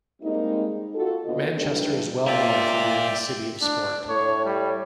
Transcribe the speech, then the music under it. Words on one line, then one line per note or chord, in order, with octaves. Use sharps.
Manchester is well known for being a city of sport.
G3 G#3 A#3 C4 D#4
F4 F#4 A4
D#2 B2 D3 F4 F#4 D#5
D#3 E3 G3 A3 D4 A4
A#3 F4 D5 E5 G5
D4
A2 C#5
G3